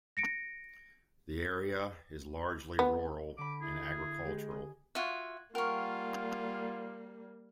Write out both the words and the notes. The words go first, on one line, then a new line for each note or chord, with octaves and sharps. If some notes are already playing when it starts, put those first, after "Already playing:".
The area is largely rural and agricultural.
A#6 C#7 D7
B3
D3 B5 D6
E4 G#4
G#3 G4
G#4
F4 F#4 E5 F#6 G#6
G3 A#3 F4 A#4 C#5 F#5 G5 F6